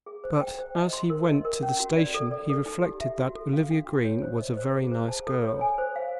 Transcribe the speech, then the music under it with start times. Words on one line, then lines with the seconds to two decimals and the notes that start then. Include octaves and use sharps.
But as he went to the station he reflected that Olivia Green was a very nice girl.
0.06 G#4
0.24 C5
0.41 G5
0.59 C5
0.75 D#5
0.93 C6
1.10 A#4
1.28 D#5
1.45 A#4
1.63 C#4
1.80 F#4
1.97 D5
2.14 A4
2.31 D5
2.50 A4
2.66 D#4
2.84 G4
3.00 E5
3.19 F#4
3.35 A4
3.53 F5
3.70 D4
3.88 F#4
4.04 C#5
4.22 C5
4.40 D#5
4.57 C5
4.75 G#4
4.91 C5
5.08 A5
5.27 A4
5.44 C#5
5.61 G#5
5.78 C5
5.96 F5